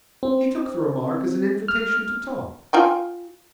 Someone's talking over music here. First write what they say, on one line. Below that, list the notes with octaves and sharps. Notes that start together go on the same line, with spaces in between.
He took the remark as an invitation to talk.
C4
F6
F4 G5 G#5